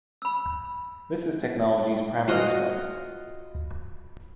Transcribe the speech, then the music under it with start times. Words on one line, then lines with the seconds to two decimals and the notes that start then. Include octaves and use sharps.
This is the technology's primary strength.
0.22 B5 E6
2.28 F4 F#4 D#5